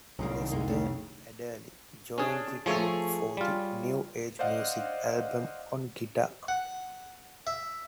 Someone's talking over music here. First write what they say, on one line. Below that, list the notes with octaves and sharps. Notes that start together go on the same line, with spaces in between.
Lester Adderley joined the group for the "New Age Music" album on guitar.
C2 A#2 C#3 F#3 A#3 D#4
D#3 D4 D#4
F2 C3 G#3 A#3
C#3 A3 G#4
C#4 D4 G#4
F3 A3 G#4 A4 C#5
G3 F4
C5 D5 D#5 F5 F#5
F#5
E5